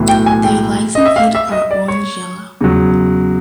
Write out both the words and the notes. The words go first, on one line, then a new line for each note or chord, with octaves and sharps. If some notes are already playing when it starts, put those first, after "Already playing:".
Their legs and feet are orange-yellow.
Already playing: B1 A2 E3
G5
G#5
G5
D#5
E5
F5
E5
D#5
D5
C#5
E2 C#3 F#3